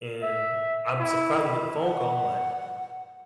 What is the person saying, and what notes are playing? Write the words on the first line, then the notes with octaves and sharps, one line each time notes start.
and I'm surprised when I get the phone call, I'm like,
E5
E4
F#5